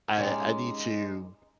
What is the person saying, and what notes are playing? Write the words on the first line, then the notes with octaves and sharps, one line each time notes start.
I I need to
G#3 C#4 D#4 G4